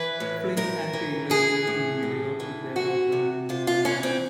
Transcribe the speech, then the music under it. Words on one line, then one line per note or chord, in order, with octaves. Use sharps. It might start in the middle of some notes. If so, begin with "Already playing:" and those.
Flynn and Taylor live in New York with their daughter.
Already playing: E3 B4
A2
A2 A#4
E3
E3 G#4
A2
A2
E3
E3 F#4
C3
C3 F4
F4
E3 C#4
C4